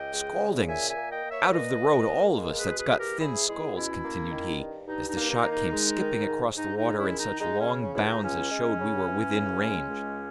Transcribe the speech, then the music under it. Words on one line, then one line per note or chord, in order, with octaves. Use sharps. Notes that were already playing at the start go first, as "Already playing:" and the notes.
"Scaldings! out of the road all of us that's got thin skulls," continued he, as the shot came skipping across the water in such long bounds as showed we were within range.
Already playing: C#2 D#5 G5
G#3
C#3
A#2 E5 G#5
E5 G#5
A#3
D#5 G5
A#3
C#5 E5
C#5
A#2 B4 D#5
A#2
A#3
G#3
A#4
G#4 B4
B2
G#4 B4
E2
G4 A#4
E2 E4 G#4
G#3 E4 G#4
B2 C#4 E4
A#3
D#3
G2
G2 D#4
D#4
A#3
D#4
D#3
D#4
G#3
D#3
G#2
G#2 D#4
D#4
G#3
C#4 E4
D#3
D#4
G#3 D#4
C#4
C#3
C#4
C#2 E4
D#4
C#2 C#4
G#3
C#3
E3
C#3
G#3
C#2